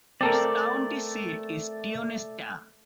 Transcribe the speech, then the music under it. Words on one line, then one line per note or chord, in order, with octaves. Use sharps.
Its county seat is Tionesta.
A3 C4 A4 A#4 D5